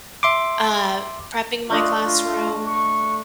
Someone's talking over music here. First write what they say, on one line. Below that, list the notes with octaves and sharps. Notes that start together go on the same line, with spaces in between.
uh, prepping my classroom,
E5 C6 D6
A3 D4 F4 D#5
F4
C#6